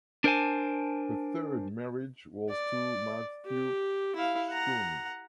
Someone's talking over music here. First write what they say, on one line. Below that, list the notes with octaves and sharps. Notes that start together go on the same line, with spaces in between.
Her third marriage was to Matthew Schoen.
D4 A#4 C5 D5 G#5 A5
D5
G4
E4 F5
F#5 A#5